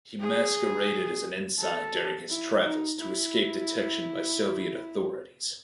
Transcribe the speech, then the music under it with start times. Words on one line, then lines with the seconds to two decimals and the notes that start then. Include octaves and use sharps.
He masqueraded as an ensign during his travels to escape detection by Soviet authorities.
0.20 G#4
1.59 A4
2.30 E4
2.64 D#4
2.99 E4